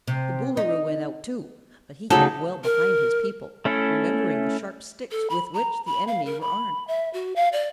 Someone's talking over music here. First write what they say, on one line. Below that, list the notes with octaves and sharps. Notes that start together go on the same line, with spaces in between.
The Boolooroo went out, too, but he kept well behind his people, remembering the sharp sticks with which the enemy were armed.
C3
D#4
D2 C#3 F#3 D#4 A4
A#4
A3 C#4 E4 A4
A4
B5
A#5
B5
F5
A#4
B5
E5
F#4
F5
D5